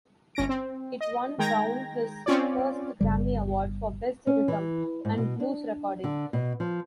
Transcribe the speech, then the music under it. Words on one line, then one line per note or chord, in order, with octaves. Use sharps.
It won Brown his first Grammy Award, for Best Rhythm and Blues Recording.
G1 C#4 A#6 D7
C4
D#5
D#3 G#3 G5 A#5 G#6 A#6
C4 C#4 F4 C#5 D5
G1 C#3 G3
C#4
E3
G#2
B2
D4
D3
B2
F3